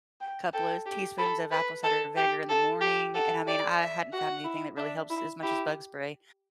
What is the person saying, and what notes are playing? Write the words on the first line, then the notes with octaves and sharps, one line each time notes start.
couple of teaspoons of apple cider vinegar in the morning, and I mean, I hadn't found anything that really helps as much as bug spray.
G5
A4 G5
G4
A4 B5
B4 B5
A4 A5
G4 G5
A4 A5
G4 G5
A4 F#5
G4 D5
E5
F#4 F#5
E4
D4 E5
E4
E4 G4